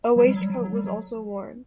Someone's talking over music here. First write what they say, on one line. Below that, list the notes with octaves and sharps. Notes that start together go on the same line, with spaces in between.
A waistcoat was also worn.
F#3
G3
F#3
G3
F#3
F#3
G3
F#3